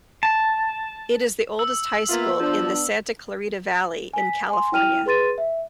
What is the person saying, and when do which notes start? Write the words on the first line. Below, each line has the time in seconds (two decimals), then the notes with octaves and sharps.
It is the oldest high school in the Santa Clarita Valley in California.
0.23 A5
1.59 E6
2.09 A#3 B3 F4 E5
2.40 F3 B3 D4
4.14 G#5 B6
4.49 G#5 C6
4.72 E4 G5 F6 D#7 F7
5.06 G#4 B4 C6 A6 D#7
5.38 E5